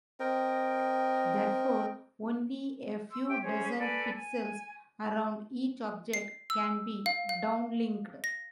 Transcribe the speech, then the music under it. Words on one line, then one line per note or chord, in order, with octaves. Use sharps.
Therefore, only a few dozen pixels around each object can be downlinked.
C4 A#4 D#5 G5
C6 E6
G4 E5 G5
C#4 G#4 C5 C#5
A4 B4 D5 G#5
G#5
C7
E6
F5
F5
A#6